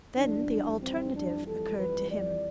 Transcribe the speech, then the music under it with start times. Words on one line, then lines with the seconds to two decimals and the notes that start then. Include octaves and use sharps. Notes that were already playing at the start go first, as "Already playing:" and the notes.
Then the alternative occurred to him.
0.16 F2 E3 G3 D4
0.81 C4
1.14 D4
1.45 A4
1.78 B4
2.10 D5